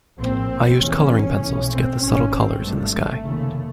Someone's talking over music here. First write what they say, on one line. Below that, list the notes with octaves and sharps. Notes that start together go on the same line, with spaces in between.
I used colouring pencils to get the subtle colours in the sky.
A#1 A2 C4
F1 E2 C3 C#4
B1 A2
C4
G#1 G#2 C#4
C4
G#1 G2 A3
F1 D#2 C#3